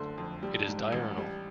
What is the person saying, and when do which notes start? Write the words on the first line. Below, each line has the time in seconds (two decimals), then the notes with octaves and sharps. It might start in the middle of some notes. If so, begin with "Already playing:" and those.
It is diurnal.
Already playing: F#1 D3 A3 C6
0.18 F2
0.43 G3
0.68 G#2
0.92 A1
1.17 G3